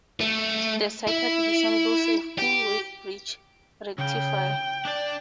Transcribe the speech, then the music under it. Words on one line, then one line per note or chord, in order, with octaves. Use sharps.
The circuit resembles a full-wave bridge rectifier.
A3
E4
G4
C#3 G5
D4 D5